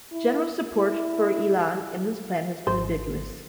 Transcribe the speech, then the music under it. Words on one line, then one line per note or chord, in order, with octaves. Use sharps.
General public support for Elon and his plan has been ambiguous.
E4
E4
G#1 C5